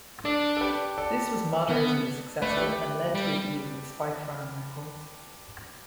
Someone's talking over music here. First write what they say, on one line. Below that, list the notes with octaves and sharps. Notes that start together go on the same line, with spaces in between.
This was moderately successful and led to a deal with Spikefarm Records.
D4 A4 D5
A4
G4 B4
A4 D5
B3
A3 B4
D5
G4 B4
G3